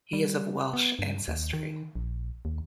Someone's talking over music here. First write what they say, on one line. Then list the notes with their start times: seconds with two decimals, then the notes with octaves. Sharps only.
He is of Welsh ancestry.
0.13 G3
0.73 B3
0.99 G2
1.28 D#2
1.53 D#3
1.95 A#1
2.45 D#2